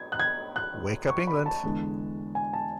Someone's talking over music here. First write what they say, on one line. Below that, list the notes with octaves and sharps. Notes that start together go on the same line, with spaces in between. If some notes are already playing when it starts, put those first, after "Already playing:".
Wake up England!
Already playing: G#6
F#6
G#6
F#6
C#6
B5
A5
E2 D3 G#3
G#5
A5